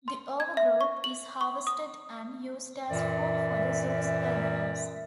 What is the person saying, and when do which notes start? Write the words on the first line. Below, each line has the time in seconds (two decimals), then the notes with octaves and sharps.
The overgrowth is harvested and used as food for the zoo's herbivores.
0.08 C6
0.40 G#6
0.57 E5
0.81 C#6
1.04 F#7
1.41 C#6
1.67 D#6
2.89 F#2 A#2 E3 D5 E5